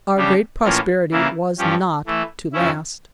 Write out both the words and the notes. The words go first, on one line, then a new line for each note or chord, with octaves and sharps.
Our great prosperity was not to last.
C#3 G3 D4 G4
A2 E3 A#3 C#4 F4
C#3 E3 A#3 E4
G2 F3 C#4 G4
E3 A3 E4
F2 C#3 F3 C#4 E4